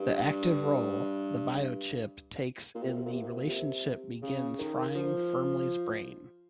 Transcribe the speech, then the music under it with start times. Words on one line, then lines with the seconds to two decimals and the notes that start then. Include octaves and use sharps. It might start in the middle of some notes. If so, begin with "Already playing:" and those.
The active role the bio-chip takes in the relationship begins frying Firmley's brain.
Already playing: G2
2.75 A#2
2.82 C3
2.90 A#2
2.98 C3
3.06 A#2
3.12 C3
3.21 A#2
3.28 C3
3.36 A#2
3.48 C3
4.22 C#3
4.58 D#3
4.95 F3